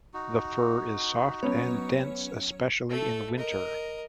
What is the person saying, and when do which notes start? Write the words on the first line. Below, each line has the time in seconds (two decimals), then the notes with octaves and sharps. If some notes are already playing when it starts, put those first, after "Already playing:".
The fur is soft and dense, especially in winter.
0.14 D#4 F#4
1.43 F#3 B3 C#4 C#5
2.90 A3 A4
3.38 A#4 D#5